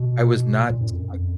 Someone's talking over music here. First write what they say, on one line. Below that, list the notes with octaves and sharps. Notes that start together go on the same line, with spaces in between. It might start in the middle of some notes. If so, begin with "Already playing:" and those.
I was not I
Already playing: B2
A#2
F#2
F2
F#2
F2